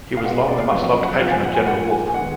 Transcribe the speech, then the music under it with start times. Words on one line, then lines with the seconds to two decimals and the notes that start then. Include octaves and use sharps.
He was long the much loved patron of General Wolfe.
0.17 F5
0.24 B2 G#3 B3 F#5
0.37 F5
0.48 D5
0.60 F5
0.72 F#2 F3 B3 D#5
0.88 D#5
1.03 F#5
1.19 A#2 F3 B3 F5
1.31 G#5
1.43 F#5
1.54 G#5
1.67 A#2 F3 A#3 F#5
1.90 G#5
2.07 G#5
2.14 D#3 G#3 B3 F#5